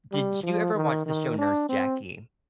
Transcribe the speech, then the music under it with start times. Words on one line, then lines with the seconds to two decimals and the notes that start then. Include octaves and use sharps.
Did you ever watch the show Nurse Jackie?
0.12 G3
0.43 F3
0.75 D#3
1.06 D#3
1.38 D4
1.69 C4